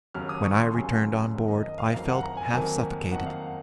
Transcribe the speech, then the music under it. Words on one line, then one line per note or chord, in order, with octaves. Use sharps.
When I returned on board, I felt half suffocated.
D#2 C#3 F#3 F6
D#6
C#6
C6
D#2 C#3 F#3 G#5
F#1 F2 D#3 F#3
D#5
D#5
F5
F#1 F2 D#3 F#3 F5
F#5
A#5
G#5
F2 D#3 F#3 A#3
F2 D#3 F#3 A#3 F#5
F5
F#5